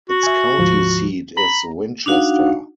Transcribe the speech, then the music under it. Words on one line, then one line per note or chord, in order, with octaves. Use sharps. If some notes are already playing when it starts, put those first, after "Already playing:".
Its county seat is Winchester.
F#4
E5 G#5
D2 G#2 F3
A#5 B5
D4 D#4 F#4 F5 F#5